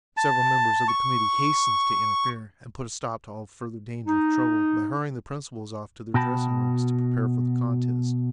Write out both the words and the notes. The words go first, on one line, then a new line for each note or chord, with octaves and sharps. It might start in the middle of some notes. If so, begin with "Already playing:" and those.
Several members of the committee hastened to interfere, and put a stop to all further danger of trouble by hurrying the principals off to their dressing-rooms to prepare for the contest.
A5
C#6
D#4
B2 F#4 G5 A5 B5